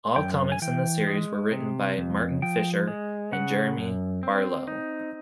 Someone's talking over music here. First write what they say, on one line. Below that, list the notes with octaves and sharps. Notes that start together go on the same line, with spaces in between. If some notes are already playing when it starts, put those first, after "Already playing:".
All comics in this series were written by Martin Fisher and Jeremy Barlow.
F#2 G5
G#5
E3 G5
G#3
C3
F2
F3 G5
G#3
C#3 F#5
F#2
C4
D#4